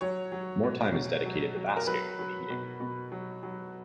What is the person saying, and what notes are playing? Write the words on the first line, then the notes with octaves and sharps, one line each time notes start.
More time is dedicated to basking than eating.
F#3 C#5
F#3
B2
B2
F#3
F#3
A#4
F#3 B4
F#3
B2
B2
F#3
F#3